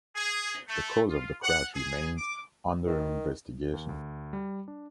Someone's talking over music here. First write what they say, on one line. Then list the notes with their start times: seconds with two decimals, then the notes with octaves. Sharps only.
The cause of the crash remains under investigation.
0.15 G#4
0.68 A3
1.10 F4
1.43 F#5
1.74 G#4
2.18 D6
2.87 D#3
3.74 D#2
3.89 D2
4.33 G3
4.68 D4